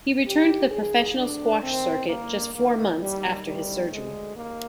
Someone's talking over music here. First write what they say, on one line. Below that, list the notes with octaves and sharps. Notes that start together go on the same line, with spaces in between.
He returned to the professional squash circuit just four months after his surgery.
D#2 D#3 G4
G2 D#3 G#4
D2 D3 D4
D#2 D#3 C4
G2 D3 A#3
D#2 D#3 A#3
D#2 D#3 G3
D2 C3 D#3 G3
D2 D3 G#3
D#2 A#3